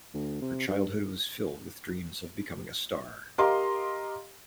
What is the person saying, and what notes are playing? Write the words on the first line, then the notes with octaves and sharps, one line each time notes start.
Her childhood was filled of dreams of becoming a star.
D2
C3
G2
G4 A#4 D#5 F5 A#5 C6